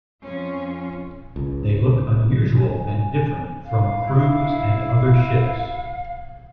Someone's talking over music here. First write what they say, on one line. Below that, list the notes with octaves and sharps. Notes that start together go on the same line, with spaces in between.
They look unusual and different from cruise and other ships.
F2 C#4 F4
C#2
G#5
F5
E4